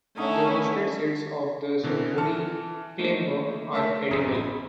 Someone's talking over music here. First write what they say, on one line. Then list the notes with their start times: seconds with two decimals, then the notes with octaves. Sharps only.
The roasted seeds of this woody climber are edible.
0.17 D3 A3 C#4 D#4 E4 G#4
1.83 B2 D3 E3 C4 A#4
2.18 E3 A5 F6 C#7
2.99 A3 A#3 D#4
3.73 A3 A#4 E5 A5 E6 B6
4.11 A1 F#2 C4 G#4 A#5 D#6
4.34 B5